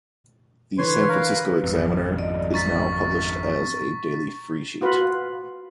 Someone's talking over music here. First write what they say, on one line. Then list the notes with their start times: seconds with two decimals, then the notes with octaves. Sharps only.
The "San Francisco Examiner" is now published as a daily freesheet.
0.78 D3 E3 B4 C#5 C6
1.09 A#4 F5
1.64 G#1 F2
2.18 D5 D#5
2.54 A#5 C#6 A6 B6
4.81 F4 F#4 B4